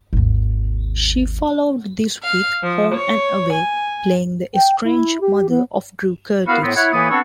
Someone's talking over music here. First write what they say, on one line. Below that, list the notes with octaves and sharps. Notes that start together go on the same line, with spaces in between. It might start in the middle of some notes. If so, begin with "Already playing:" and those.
She followed this with "Home and Away", playing the estranged mother of Drew Curtis.
G#1 D#2
F5
F3
C#5
G#5
G5
E4
G4
B3
A#3 B3 E4 F#4 B4 F5
A2 B3 C4
E4 C#5 F#5
A2 E3 A#3 B3 B5 D#6
B3 C4 D4 A4 B4 C#5